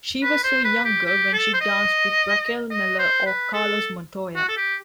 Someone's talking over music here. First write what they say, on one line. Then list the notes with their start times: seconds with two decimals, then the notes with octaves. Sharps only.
She was so younger when she dance with Raquel Meller o Carlos Montoya.
0.23 B4
0.44 C5
0.65 B4
0.85 G4
1.06 G4
1.33 A4
1.54 C5
1.61 D#5
2.71 D#5
2.99 C5
3.26 B4
3.54 A4
4.36 F#4
4.49 A4
4.57 G4